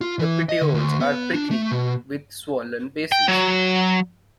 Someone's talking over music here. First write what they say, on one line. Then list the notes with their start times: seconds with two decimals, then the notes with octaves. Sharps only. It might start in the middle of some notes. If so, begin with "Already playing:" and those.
The petioles are prickly, with swollen bases.
0.01 F4
0.19 E3
0.49 D#5
0.62 D3
0.74 D2
1.00 B3
1.34 D4
1.51 A3
1.71 B2
3.12 G5
3.28 F#3